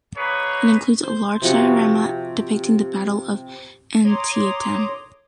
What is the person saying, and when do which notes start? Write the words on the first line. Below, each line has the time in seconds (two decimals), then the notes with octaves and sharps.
It includes a large diorama depicting the Battle of Antietam.
0.16 A#3 D#4 G#4 B4 C#5
1.04 C5
1.42 C3 F3 F#4 G#5
4.05 C#5 A#5 C6 D6 D#6